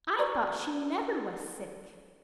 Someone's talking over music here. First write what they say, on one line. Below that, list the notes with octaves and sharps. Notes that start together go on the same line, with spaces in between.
"I thought she never was sick."
F#4 D5 A#5 C#6